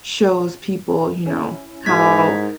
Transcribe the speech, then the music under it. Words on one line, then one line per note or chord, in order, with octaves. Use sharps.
shows people, you know, how,
C#4 E4
G#2 G#3 D#4 E4 F#4 A#4 G#6 B6